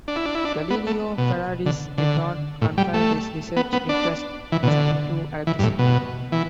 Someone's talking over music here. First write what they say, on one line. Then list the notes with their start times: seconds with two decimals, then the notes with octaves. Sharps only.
Galileo Ferraris did not confine his research interests to electricity.
0.08 D4
0.16 E4
0.25 D4
0.35 E4
0.45 D4
0.70 B3
0.87 A3
1.18 B2
1.66 D3
1.98 D3
2.61 A2
2.78 G3
2.94 A3
3.56 B3
3.73 B3
3.89 D4
4.52 E3
4.63 B2
4.67 D3
5.47 E3
5.59 G2
5.63 A2
5.79 B2
6.32 E3